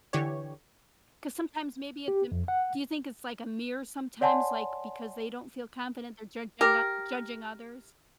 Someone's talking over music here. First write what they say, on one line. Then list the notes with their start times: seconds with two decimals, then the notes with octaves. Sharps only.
'cause sometimes maybe it's im Do you think it's, like, a mirror sometimes, like, because they don't feel confident they're judging o judging others?
0.13 D3 E3 G4 C#5
2.08 G4
2.32 F2
2.48 F#5
4.21 C#5 D5 F#5 G#5 A5 C6
6.61 G4 A#4